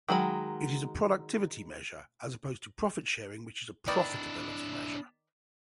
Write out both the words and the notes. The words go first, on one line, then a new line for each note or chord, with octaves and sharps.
It is a productivity measure, as opposed to profit-sharing which is a profitability measure.
D#3 F#3 G#3 B5
D#3 D4 E4 B4 D5